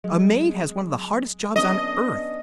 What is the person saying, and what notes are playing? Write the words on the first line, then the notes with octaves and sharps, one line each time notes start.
A maid has one of the hardest jobs on earth.
F#3 G#3
B3 C#4 D4 D#5